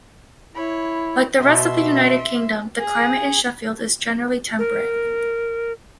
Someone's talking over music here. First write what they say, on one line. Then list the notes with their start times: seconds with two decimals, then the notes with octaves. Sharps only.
Like the rest of the United Kingdom, the climate in Sheffield is generally temperate.
0.55 E4 C#5 B5
1.40 B2 E5 C6
2.80 G#4
4.58 A#4